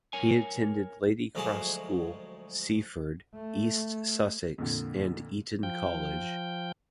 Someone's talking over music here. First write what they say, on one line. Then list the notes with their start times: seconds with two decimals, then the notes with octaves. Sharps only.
He attended Ladycross School, Seaford, East Sussex and Eton College.
0.13 A#4 C#5 G#5
1.35 D2 F3 F#3 G#3 G#4 A5
3.34 A3
4.58 F2 A#2 D3
5.63 F3 G5